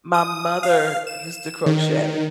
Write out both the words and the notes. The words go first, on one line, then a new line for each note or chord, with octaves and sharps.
my mother used to crochet,
D#6
F5
E7
D#3